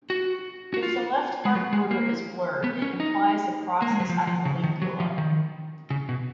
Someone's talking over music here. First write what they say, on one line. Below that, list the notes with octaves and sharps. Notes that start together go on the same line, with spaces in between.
If the left heart border is blurred, it implies a process at the lingula.
F#4
F#4
F4
G#3
F#3
G#3
A#3
B3
C#4
D#4
A#3
G#3
F#3
F3
F3
C#3
D#3
F#3
F3
D#3
C#3
B2